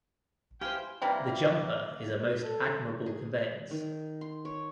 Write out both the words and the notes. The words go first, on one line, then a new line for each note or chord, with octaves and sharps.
The jumper is a most admirable conveyance.
E4 G4 C5 F5 G5 G#5
C3 E3 G3 A#3
A4
G#4
D#3
C6
C#5